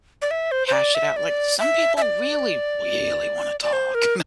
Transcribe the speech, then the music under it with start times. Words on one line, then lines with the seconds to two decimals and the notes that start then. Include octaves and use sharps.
hash it out. Like some people really, really wanna talk.
0.22 D5
0.31 E5
0.51 C5
0.68 C5
0.73 D5
0.95 E5
1.16 D5
1.59 E5
1.97 E5
2.02 D5
3.62 D5
3.73 C5
3.95 A#4